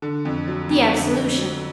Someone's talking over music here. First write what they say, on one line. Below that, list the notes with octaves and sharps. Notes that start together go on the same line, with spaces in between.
The Absolution.
D3
F2
F#3
F2
D3
F2
F#3